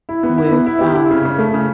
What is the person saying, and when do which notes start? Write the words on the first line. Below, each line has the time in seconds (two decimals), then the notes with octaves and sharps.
with, um
0.09 E4
0.23 B3
0.38 E4
0.52 B3
0.66 E4
0.81 G4
0.95 E4
1.11 C#3
1.25 C#3
1.38 A3
1.54 C#3